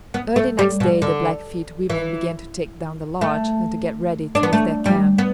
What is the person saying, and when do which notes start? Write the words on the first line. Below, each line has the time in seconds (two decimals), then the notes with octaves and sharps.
Early next day the Blackfeet women began to take down the lodge and to get ready to move their camp.
0.14 B3
0.36 A3
0.59 G3
0.80 B2
1.02 D3
1.90 E3
3.21 A3
4.35 D4
4.43 B3
4.53 A3
4.86 G3
5.18 B3